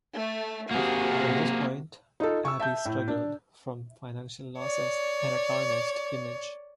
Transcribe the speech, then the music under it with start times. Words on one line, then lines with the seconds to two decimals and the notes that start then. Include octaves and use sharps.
From this point, Abbey struggled from financial losses and a tarnished image.
0.17 A3
0.71 C3 A#3 F#4 G#4
2.20 D#4 F4 A4
2.45 C#6 E6
2.59 E5 A5 G6
2.85 A2
3.08 D4
4.59 C#5 D5